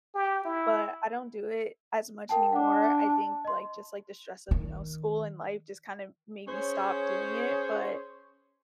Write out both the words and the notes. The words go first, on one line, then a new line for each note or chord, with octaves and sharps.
but I don't do it as much anymore. I think, like, just, like, the stress of, you know, school and life, just kind of, made me stop doing it, but
G4
E4
A#4 G5 A5
D4 F#5 D6
A5
D#5 C6
D#3
C#4 G#4 C5 C#5